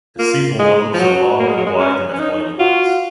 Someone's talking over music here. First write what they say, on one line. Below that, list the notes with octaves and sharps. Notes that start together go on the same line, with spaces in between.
The sepal lobes are long and wide and have oil dots.
A#3 F4
G#3
F3
F#3 F#4
A#3
G#3
F#3
G#3
C#4
C#4
D#4
F4 F#4